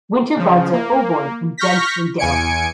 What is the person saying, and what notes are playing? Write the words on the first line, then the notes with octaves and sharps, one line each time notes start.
Winter buds are ovoid and densely downy.
C#3 F3
A#3
C#6 F6 G6 A#6 B6
E2 G#5 G#6 C#7 D7